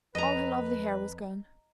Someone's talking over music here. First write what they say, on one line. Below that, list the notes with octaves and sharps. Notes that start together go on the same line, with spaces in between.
All her lovely hair was gone!
F2 B4 D#5 A#5